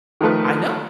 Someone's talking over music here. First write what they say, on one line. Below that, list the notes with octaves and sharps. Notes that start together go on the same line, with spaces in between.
I know.
D#3 F3 A3 B4